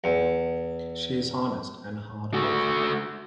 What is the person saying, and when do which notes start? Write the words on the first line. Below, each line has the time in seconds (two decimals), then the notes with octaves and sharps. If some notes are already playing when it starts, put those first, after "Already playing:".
She is honest and hardworking.
0.04 E2
2.34 A3 F#4